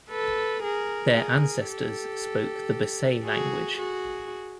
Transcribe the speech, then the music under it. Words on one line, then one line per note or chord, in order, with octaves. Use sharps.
Their ancestors spoke the Basay language.
A4 B4
G#4 A#4
G#4 A#4
G4 A4
F#4 G#4
F#4 G#4